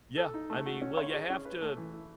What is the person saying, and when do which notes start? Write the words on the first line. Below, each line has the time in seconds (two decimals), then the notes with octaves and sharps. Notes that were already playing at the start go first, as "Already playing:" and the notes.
Yeah, I mean, well, you have to,
0.18 A4
0.34 D#4
0.50 A3
0.66 F#4
0.82 C#4
0.97 C#5
1.13 G#4
1.30 C#4
1.45 B4
1.62 A3
1.77 E3
1.93 E4